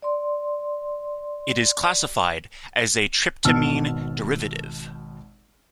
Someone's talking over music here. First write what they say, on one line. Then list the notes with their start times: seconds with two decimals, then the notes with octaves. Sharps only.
It is classified as a tryptamine derivative.
0.02 D5 C6
3.45 G#1 B2 A5 E6 F6